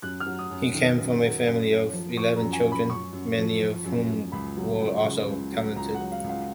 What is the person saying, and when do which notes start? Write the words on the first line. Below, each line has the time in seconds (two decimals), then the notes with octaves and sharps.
He came from a family of eleven children, many of whom were also talented.
0.02 F#2 F#6
0.20 F6
0.26 F#3
0.39 D#6
0.51 F#2
0.74 D#3
0.98 F#2
1.22 F#3
1.46 F#2
1.70 F#2
1.93 F3
2.17 F3 C#6
2.36 F#2 A#5
2.53 G#5
2.65 F#2
2.72 B5
2.89 F#2 C#6
3.13 F#2
3.38 F3
3.61 F3
3.85 F#2
4.09 F#2
4.32 C#2 B5
4.57 F#3
4.80 C#2
5.04 C#3
5.29 C#2
5.52 F#3
5.76 C#2 A#5
5.94 F#5
6.00 F#3
6.12 F5
6.24 C#2
6.29 F5